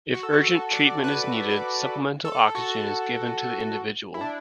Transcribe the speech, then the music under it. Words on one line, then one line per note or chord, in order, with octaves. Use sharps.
If urgent treatment is needed, supplemental oxygen is given to the individual.
F#4
A4
F#4
A4
D5
B4
D5
A4
F#4
E4
D4